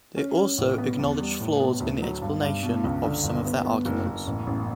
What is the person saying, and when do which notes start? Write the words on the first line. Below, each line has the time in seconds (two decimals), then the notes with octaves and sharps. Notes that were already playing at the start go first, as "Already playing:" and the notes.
They also acknowledged flaws in the explanation of some of their arguments.
0.16 C#4
0.37 C#4
0.58 A1
0.78 B3
0.99 E2
1.20 G3
1.40 A2
1.60 B3
1.80 D2
2.02 F#3
2.22 G2
2.42 G2
2.63 B2
2.84 C#2
3.03 D3
3.23 G1
3.45 B3
3.65 B3
3.85 F#1
4.07 F#1
4.27 A1
4.47 A1